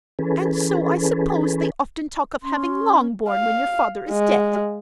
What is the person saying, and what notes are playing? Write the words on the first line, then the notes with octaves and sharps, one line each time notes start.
And so, I suppose, they often talk of having Longbourn when your father is dead.
E3 C#4 G#4 A4 B4
C#4 C6
F5
G#3